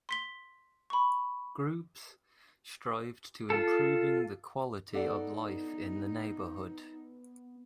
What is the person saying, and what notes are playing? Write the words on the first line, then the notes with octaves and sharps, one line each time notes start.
Groups, strived to improving the quality of life in the neighborhood.
C6 B6 G7
B5 C#6
F4 A4
B3 D#4 A4 D5 F#5